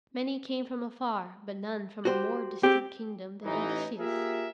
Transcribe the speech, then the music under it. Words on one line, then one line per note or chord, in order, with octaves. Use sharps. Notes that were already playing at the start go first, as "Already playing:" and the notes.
Many came from afar, but none from a more distant kingdom than Odysseus.
F#4 G4 C5
C4 G4 G#4
A1 E3 D#4
A#3 F4 G4 G#4 A#4 E5